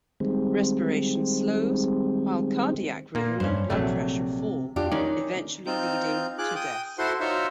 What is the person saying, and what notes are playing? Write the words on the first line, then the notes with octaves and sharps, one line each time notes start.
Respiration slows, while cardiac rhythm and blood pressure fall, eventually leading to death.
D#3 G3 G#3 C4
A#2 A#3
G2 C#4 C5
A#1 C3 F#3 A3
D4 F4 G4
D#3 C#4 D#4 D5
C4 D#4 F4 G6
F4 G#4 D6 F#6
G5 D#6
E4 F#4 A4 C5 F#5 C6
D#4 F4 F#4 C5 C#5 E5